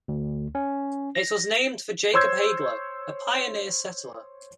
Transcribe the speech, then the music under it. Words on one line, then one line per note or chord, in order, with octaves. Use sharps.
It was named for Jacob Haigler, a pioneer settler.
D2
C#4
A#6
C5 C#5 C6 E6 G6 G#6